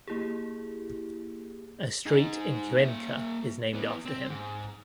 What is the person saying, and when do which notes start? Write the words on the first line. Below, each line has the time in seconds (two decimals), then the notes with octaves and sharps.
A street in Cuenca is named after him.
0.08 A#3 E4 G4 G#4
2.06 D#4 G#4
2.78 A#3 E5
3.74 E3 B3
4.05 C4
4.30 G#2